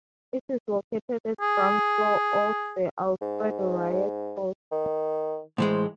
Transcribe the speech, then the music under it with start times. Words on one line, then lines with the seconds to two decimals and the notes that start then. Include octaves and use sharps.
It is located at the Ground Floor of the Alfredo Reyes Hall.
1.41 G#4
3.22 G#2
4.72 D#3
5.58 A2 E3 G#3 C5